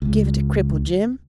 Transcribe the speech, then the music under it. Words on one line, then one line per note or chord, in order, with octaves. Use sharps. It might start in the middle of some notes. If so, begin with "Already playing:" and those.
"Give it to cripple Jim."
C#2